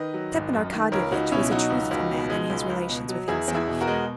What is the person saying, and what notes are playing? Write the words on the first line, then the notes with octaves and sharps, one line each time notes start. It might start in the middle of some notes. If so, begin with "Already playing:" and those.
Stepan Arkadyevitch was a truthful man in his relations with himself.
Already playing: D#3 B4 D#5
F#3
G#1
F#2
D#3
C#2 A#4 C#5
C#2 D#4 F#4
B2 C#4 E4
F#3 D#4 F#4
C#2
C#2
B2
G#3
C#2
C#2
B2
F#3
E2 E4 G#4
E2
E4 G#4
B2
F#4 A#4
G#3